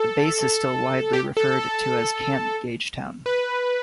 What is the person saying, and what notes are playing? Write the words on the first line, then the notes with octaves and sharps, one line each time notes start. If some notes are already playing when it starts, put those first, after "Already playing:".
The base is still widely referred to as Camp Gagetown.
Already playing: A4
G4
A4
A4
A4
B4